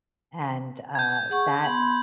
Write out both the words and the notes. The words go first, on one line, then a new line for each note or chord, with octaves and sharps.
and, uh, that
G6 G#6
G#4 F#5 C#6
B3 B5 C6 F#7